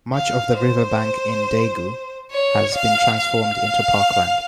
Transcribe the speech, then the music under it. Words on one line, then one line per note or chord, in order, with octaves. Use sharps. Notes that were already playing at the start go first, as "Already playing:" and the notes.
Much of the riverbank in Daegu has been transformed into parkland.
F5
C5
C#5
F5
F5